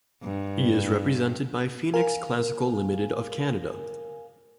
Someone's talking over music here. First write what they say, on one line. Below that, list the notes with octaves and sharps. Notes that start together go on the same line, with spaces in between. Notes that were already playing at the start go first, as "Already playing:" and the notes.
He is represented by Phoenix Classical Limited of Canada.
G2
A#4 F5 G#5